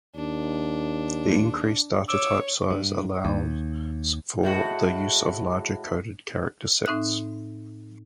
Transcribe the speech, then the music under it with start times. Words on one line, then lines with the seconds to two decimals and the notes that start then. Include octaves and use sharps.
The increased datatype size allows for the use of larger coded character sets.
0.15 D#2 D4
2.08 C#5 D6 E6
2.70 G2
3.25 D#2
4.43 A2 G#3 F#4
6.86 A2 C4 D#4 E5 F#6